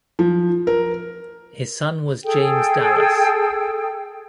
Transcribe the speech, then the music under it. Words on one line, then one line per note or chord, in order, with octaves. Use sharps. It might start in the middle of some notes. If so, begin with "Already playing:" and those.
His son was James Dallas.
F3
A#4
G#4 A4 G5